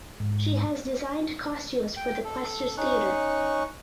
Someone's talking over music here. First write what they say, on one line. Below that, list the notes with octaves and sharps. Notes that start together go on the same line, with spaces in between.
She has designed costumes for The Questors Theatre.
G#2
G5
A4
C#4 D#4 C#6 F#6